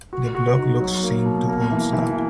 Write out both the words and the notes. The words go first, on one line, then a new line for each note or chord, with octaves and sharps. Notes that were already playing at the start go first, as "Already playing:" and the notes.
The block looks same to Old Slab.
F#4
F#4
D#4
F#3
A#3
B2
A#3
E3
E3